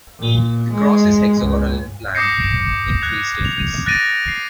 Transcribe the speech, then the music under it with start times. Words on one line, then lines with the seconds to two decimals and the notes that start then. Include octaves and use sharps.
The cross is hexagonal in plan, in three stages.
0.19 A#2
0.73 G#3
1.42 C#2
2.15 D6 D#6 G6 A#6 C7 C#7
2.40 D7
3.01 F#6 G#6 F7
3.45 F7
3.86 F#6 A6 A#6 D7 D#7
4.28 C7